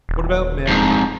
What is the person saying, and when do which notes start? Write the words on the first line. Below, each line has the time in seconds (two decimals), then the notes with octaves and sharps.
"What about Manning?"
0.09 D#1
0.68 F2 G#2